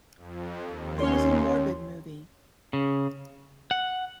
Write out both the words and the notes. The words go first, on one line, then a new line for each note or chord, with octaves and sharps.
It was a morbid movie.
F2
D#2
C#4 C#5 C6
C#3
F#5